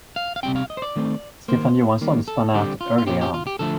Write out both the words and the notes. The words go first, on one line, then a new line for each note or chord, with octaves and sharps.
Stefan Johansson spun out early on.
F5
F5
C3 G3 C4 G5
F5
D#5
C5
D5
D#3 A3 C4
D#3 A#3 C5
D#3 G3 A#3
A4
D3 G3 C4 G4
F4
F4
A#2 F3 C4 G4
G4
F4
G4
D3 F3 A3 A4